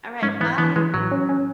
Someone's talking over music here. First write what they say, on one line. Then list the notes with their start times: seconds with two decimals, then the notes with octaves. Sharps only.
Alright, bye.
0.22 G#2 C#4
0.40 E3 B3
0.58 E3 B3
0.76 E3 G#3
0.94 A1 F#3
1.12 C#4
1.29 C#4